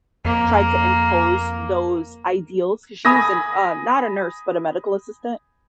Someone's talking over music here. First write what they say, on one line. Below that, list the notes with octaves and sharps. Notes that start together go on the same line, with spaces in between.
tried to impose those ideals, 'cause she was a n uh, not a nurse, but a medical assistant,
F2 A#3
G#5 B5 D#6 G#6 A#6